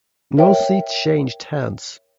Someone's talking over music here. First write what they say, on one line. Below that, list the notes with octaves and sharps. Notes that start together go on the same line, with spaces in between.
No seats changed hands.
A#4 C#5 E5 G5